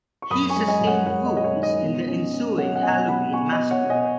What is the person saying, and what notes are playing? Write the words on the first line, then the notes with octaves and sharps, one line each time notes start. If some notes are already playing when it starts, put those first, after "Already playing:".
He sustained wounds in the ensuing Halloween Massacre.
C#6
F#2 B5 D#6
G#5 C#6
G#3
D#5 G#5
F#2
C#5 F#5
F#2 C#5 F#5
D#5
G#3
D#5
C#5
D#3
D#5
B2
C#4
C#4
F#3 C#5 F#5
F#5
B2 D#5 G#5
B2 F#5 B5
B2 G#5 C#6
D#5
B2
C#5 F#5
B2
D#5 G#5